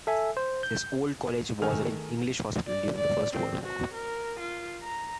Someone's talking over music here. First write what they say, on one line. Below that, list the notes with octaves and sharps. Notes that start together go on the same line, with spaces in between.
This old College was an English hospital during the First World War.
A4 E5 G#5
C5
G6
D#3 A3 G#4 G#5 F6 F7
D5
D5
C4
F#4
A#4
F4
A#5